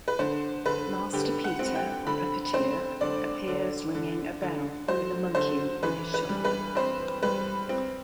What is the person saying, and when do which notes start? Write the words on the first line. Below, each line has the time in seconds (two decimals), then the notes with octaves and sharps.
Master Peter, the puppeteer, appears ringing a bell, with a monkey on his shoulder.
0.08 B4
0.19 D3 C5
0.65 D3 B4
1.13 D3 G4
1.44 F#5
1.59 C4
1.75 G5
2.07 D3 B5
2.53 C4 C5
3.01 D3 D5
3.48 D3
3.95 D3
4.42 D3
4.88 F#3 C5
5.35 D3 C5
5.83 E3 B4
6.14 B4
6.29 G3
6.45 B4
6.75 C4 C5
7.23 G3 B4
7.69 C4